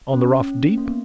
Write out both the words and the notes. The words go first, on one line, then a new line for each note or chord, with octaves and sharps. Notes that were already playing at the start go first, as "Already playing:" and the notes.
'On the rough deep.
C#4
A#3
B3